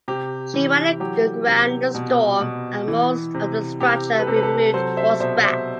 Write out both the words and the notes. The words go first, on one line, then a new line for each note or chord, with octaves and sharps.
She ran aground in a storm and most of the structure removed for scrap.
C3 G4
E3
F#3 G4
C3
B2
B2
E3
C3
C3 G4
A4
B4
C3 A4
B4
A4
F#3 A4 C5
C5 E5
B2 C5 E5
C5 E5